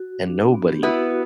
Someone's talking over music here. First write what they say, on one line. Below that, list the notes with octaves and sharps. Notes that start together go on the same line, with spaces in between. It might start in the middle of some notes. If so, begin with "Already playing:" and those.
And nobody
Already playing: F#4
D4
C4
B3
G4
B3 E4 F#4 B4
F#4